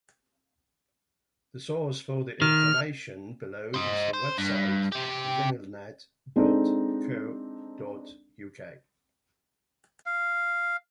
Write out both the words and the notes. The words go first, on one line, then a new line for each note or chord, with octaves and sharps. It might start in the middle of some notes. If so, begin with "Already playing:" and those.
The source for the information below is the website vinylnet dot co dot uk.
D#3 F6
C5 D#5
C5
G2
C3 G4
G#3 C4 D4 D#4 A4
F5